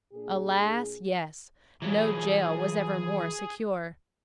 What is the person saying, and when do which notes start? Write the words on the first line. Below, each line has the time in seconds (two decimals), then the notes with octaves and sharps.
Alas! yes: no jail was ever more secure.
0.13 A#2 D4 G#4
1.82 E3 F#3 G#4